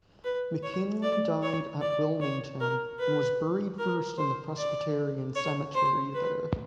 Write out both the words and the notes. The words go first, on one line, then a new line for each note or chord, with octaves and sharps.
McKinly died at Wilmington and was buried first in the Presbyterian Cemetery there.
B4
C#5
D5
C#5
D5
C#5
A#4
B4
A#4
C5
D5
C#5
C5
B4